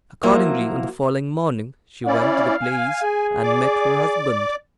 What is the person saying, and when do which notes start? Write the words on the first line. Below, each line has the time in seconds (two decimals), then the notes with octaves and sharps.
Accordingly, on the following morning she went to the place and met her husband.
0.23 F3 F#3 A#3 E4
2.07 C#4 E4 D5 F5
2.62 G#5
3.03 G#4
3.43 D5 D6